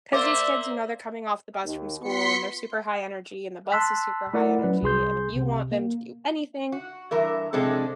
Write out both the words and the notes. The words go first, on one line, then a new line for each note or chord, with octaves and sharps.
'Cause these kids, you know, they're coming off the bus from school and they're super high energy, and the bus is super high energy, and if you want them to do anything,
A#3 C5 D5 E5
D#2
B3 F4 F#4 C6 B6 C#7
A5 C6 E6 F#6 B6
A3 E4 A#4 D5 F#5
F#3 C#4 B4
C2 G#4 C6 G6
C3
A#3
F#4
G2 E3 A#4 E5
C3 F3 G#3 C4 D4 A4